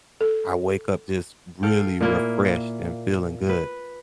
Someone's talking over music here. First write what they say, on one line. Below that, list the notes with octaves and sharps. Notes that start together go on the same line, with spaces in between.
I wake up just really refreshed and feeling good,
A4
A4 F5 G5
A#2 A#3 E4
B4